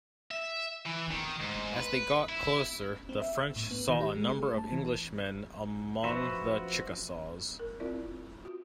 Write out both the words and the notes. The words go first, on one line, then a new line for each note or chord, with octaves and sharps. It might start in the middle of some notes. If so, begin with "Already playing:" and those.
As they got closer the French saw a number of Englishmen among the Chickasaws.
E5
E3
D#3
G#2
B4
E4
C4
E5
E6
A2
B3
D#3
G4
G#3
G#4
A3
A5
E3
F3 F#4 B4 C5 E5
A#4
C4 E4 F4 A#4 D5
F4 F#4